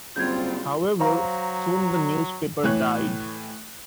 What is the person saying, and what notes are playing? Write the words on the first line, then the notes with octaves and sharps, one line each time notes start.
However, soon the newspaper died.
F#1 G3 C4 F4 G6 G#6
F#3 C5 F5 A#5
A2 E3 C#5 F#6